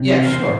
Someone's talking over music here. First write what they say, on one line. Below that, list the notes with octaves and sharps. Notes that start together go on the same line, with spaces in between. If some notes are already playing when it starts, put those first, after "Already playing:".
Yeah, sure.
Already playing: C3
E3 C5
A#4
E2 C5